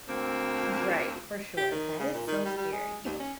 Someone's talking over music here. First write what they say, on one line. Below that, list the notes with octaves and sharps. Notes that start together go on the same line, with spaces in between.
Um, v right, for sure, that is so scary.
D2 A#3 C4
G4
D#3
C#3
A#2
D#3
G3
G3
G#3
D#2
C#4